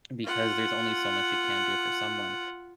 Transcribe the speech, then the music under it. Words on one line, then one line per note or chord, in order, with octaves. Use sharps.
because there's only so much you can do for someone,
F4 F#5